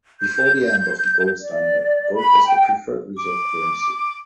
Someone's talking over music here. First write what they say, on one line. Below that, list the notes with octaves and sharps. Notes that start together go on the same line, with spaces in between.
Before the end of the gold standard, gold was the preferred reserve currency.
G6
D5
B5
G5
D6